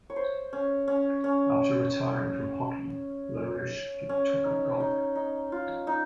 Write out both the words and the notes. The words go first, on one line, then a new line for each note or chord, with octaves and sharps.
After retiring from hockey, Larouche took up golf.
C#5
C5
C#4
C#4
C#4
C#4
D#4
D#4
D#4
F4
D#4